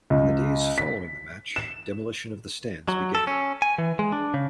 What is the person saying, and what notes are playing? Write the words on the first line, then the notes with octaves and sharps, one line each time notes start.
In the days following the match, demolition of the stands began.
C#2
B6
E7
F#3
A4
C#4
G#5
E3
G#3
D4
C#3